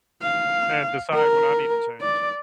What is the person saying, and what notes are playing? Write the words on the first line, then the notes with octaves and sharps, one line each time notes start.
and decide when I need to change.
F5
A#4
D5